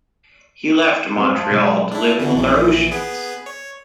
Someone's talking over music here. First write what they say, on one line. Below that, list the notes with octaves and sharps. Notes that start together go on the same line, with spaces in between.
He left Montreal to live in the Laurentians.
G3 G#3 C4 B4 C5
F5 A5 C6 D#6
B2 F#3 G#3
D4 E4
D3 E3
A#1 E3
B3 G#4 B4
C#5